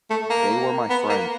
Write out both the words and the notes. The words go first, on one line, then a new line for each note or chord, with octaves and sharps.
They were my friend.
A3
A#3
B3
A#3